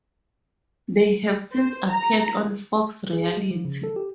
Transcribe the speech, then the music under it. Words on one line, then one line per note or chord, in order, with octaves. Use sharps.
They have since appeared on Fox Reality.
C5
A#5
G#4
G#3
F3
C#3
A4
G4